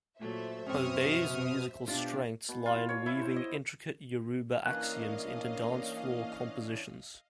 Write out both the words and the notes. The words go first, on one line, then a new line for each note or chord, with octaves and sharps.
Obey's musical strengths lie in weaving intricate Yoruba axioms into dance-floor compositions.
A#2 F#3 A3 C5 E5
F#2 B2 C4 C#4 C#6 D#6 F6
B2 D4 F4 G4
B2
F4
C#5
E4
C5
D#5
E3 A#3 C#4 D4 D#5 F5 F#6